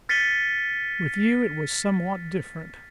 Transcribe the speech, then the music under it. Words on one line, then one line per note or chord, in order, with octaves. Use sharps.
With you it was somewhat different.
F6 A6 B6 C#7 D#7 G7